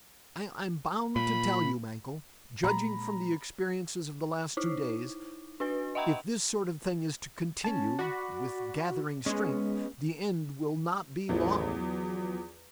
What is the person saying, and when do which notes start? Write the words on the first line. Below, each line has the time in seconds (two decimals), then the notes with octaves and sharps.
"I am bound to tell you, Mankell, judging from the experiences of the last two days, if this sort of thing is to continue--with gathering strength!--the end will not be long."
1.16 A#2 B5
2.64 A#2 G#3 A#5 B5
4.57 D#4 E4
5.60 D4 F#4 B4
5.95 D#5 E5 F#5 G5 A#5 B5
7.64 C#4 A5
7.99 F#4 D5 B5
9.26 G#3 B3 C#4
11.29 A1 E2 F3
11.77 F#3